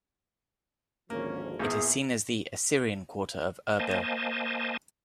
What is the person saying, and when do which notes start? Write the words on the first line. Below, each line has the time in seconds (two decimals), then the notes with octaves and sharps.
It is seen as the "Assyrian Quarter" of Erbil.
1.10 G#1 D2 F3 A#3 C#4
1.59 A#1 E2 G#4
3.79 A#3 C5 D#5 G#5 A5